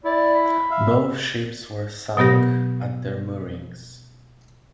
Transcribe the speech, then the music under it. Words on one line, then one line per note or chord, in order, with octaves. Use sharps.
Both ships were sunk at their moorings.
E4 D5
B5
E5 F5
B2 F#3 B3 G4 A#6